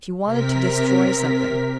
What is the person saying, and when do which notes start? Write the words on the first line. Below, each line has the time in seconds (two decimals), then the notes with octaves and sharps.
She wanted to destroy something.
0.24 C3 A#4 B6